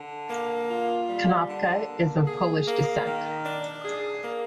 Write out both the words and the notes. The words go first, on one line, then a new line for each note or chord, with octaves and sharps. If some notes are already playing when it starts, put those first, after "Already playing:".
Konopka is of Polish descent.
Already playing: D3
A#3
F4
G3
D3
A#3
G#4
A#3
D#3
D4
G#4
A#3